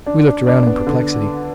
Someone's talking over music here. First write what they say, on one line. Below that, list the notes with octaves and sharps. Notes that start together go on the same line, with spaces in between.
We looked round in perplexity.
D4
D4
D4
B3
D3